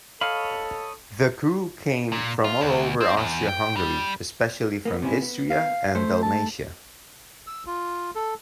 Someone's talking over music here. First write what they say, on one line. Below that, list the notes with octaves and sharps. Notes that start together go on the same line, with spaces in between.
The crew came from all over Austria-Hungary, especially from Istria and Dalmatia.
A4 C#5 D#5 F5 B5
A#2
F4
D2
C4
E2
G5
G3
A#3 B3
C3 C#4 E4
B3
F5
A3 C5
A5
E6
F4
A4